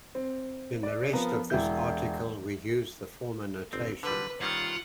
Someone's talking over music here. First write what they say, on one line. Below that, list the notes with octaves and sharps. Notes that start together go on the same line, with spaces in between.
In the rest of this article we use the former notation.
C4
D5
F3 B3 A#4
E1 E4 G6
G1 C4
D3 G3 B4
D#3 G3 C#4 F4 F#5